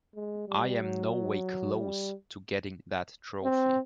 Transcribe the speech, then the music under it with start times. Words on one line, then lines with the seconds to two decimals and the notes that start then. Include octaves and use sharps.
I am no way close to getting that trophy.
0.15 G#3
0.48 G3
0.81 F#3
1.79 G3
3.44 C4